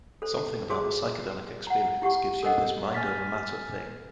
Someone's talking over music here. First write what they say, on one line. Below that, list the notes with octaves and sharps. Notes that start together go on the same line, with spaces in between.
Something about the psychedelic experience gives you this mind over matter thing.
A4 C5
F#4 G#4 C5 C6 D6
F#5 A#5
E4 G4 F#5 C#6
A4 A#4 C5 D#5 F#5
G#5 F6 A6 B6